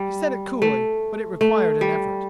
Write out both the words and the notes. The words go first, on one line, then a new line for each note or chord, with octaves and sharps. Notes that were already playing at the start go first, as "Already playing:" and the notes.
He said it coolly but it required an effort.
Already playing: G3
A3
A3
G3